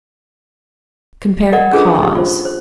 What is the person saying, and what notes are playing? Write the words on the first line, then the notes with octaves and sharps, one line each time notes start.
Compare CAUSE.
A#4 D5 D#5 F#5
C#4 D4 F4 G#4 A4 B4
D#4 G4
F4 C5
C5